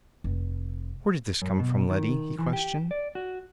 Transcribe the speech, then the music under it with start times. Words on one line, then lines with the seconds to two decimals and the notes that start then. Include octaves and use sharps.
"Where did this come from, Letty?" he questioned.
0.24 F1
1.42 F#2
1.60 B2
1.90 D#3
2.39 E3
2.53 G4
2.91 D5
3.15 F#4